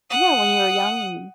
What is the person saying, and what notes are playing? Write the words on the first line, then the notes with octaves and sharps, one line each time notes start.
Yeah, when you were young, and
F#5 D#6